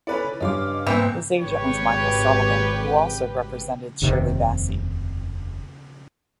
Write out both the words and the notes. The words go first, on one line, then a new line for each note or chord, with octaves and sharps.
His agent was Michael Sullivan, who also represented Shirley Bassey.
C#4 E4 A4 B4 D5
G2 G3 C#4 F4 D#5 D6
C2 G#2 E3 A#3 C4
G#1 G4 B4 C#5
F1 D#2 C3 D#3